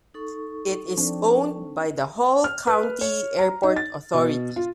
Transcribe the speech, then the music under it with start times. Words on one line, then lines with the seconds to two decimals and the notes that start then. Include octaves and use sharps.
It is owned by the Hall County Airport Authority.
0.14 D#4 A4 C#6
0.97 F3 C4 D4
2.44 F6
2.67 B4
3.01 C#5
3.39 A#5
3.63 D#4
3.76 A6
4.14 B2
4.56 F4